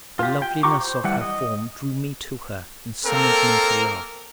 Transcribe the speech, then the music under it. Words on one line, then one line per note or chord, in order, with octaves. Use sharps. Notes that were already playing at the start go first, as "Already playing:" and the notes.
The loveliness of her form drew me to her and summoned me to love.
F4 G4
G5
F4 G4 A#5 C#6 D6
C5
E3 G3 F#5
D#5
A#3 C4 A4 A#4